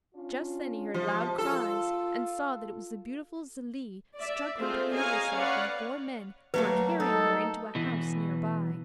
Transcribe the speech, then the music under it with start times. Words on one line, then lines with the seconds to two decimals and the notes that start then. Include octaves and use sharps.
Just then he heard loud cries, and saw that it was the beautiful Zelie struggling to free herself from four men who were carrying her into a house near by.
0.15 C#4 D4 F4
0.94 C3 F3 G3 G#3
1.38 F4 A4
4.17 D5 E5
4.58 C4 F4 G#4 A4 C5
4.94 G#4 C#5 D#5 F5 G#5 A#5
5.34 C#4 B4 C#5 D5 F5 F#5
6.54 F#3 A3 A#3 B4
7.00 D#4 A4
7.75 B2 E3